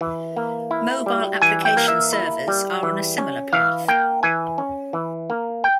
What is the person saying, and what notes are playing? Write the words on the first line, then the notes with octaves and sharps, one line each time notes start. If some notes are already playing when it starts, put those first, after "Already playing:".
Mobile application servers are on a similar path.
E3
A#3
E4
G3
E3 G#5
G5
A#3
E5
E4
G3
E3
C#4
E3 F5
A#3 G5
E3 G#5
C#4
E3
A#3
G5